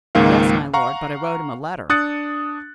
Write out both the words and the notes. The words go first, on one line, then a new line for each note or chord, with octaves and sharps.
"Yes, my lord; but I wrote him a letter."
C#2 G#2 D#3 A#3 F5
F5 F#5 A#5 C#6
D4 D#6 F#6 A6 C#7